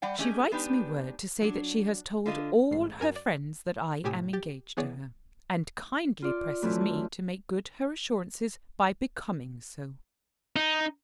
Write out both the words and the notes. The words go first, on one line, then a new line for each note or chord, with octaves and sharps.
"She writes me word to say that she has told all her friends that I am engaged to her, and kindly presses me to make good her assurances by becoming so."
G3 D5 F#5 G5
A3 C#4 G4 G#4 D#5
G#3 B3 D4 D#4 G4 B4
F#3 D4
D3 F4 D#5
A1 G#2 C7
F#2 A#4 G#5
D5
A2 C3 G4 G#5 D#6 E6
G4 A6
E3 B3 G#4 C#5 D5
F4 D5
F#2 E3 A3 C4 E4 A5
D#4